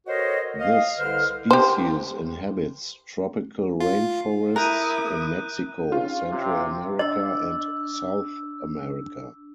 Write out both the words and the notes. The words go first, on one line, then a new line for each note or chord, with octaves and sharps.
This species inhabits tropical rainforests in Mexico, Central America and South America.
F#4 A4 A#4 C5 C#5 D#5
D#5 F5
C2 D3 B4 C5 F6
G4 C5
F4
E4 A#4 A#5 D#6 F#6 G6 D#7
C#4 F4
C3
D4 D#5 E6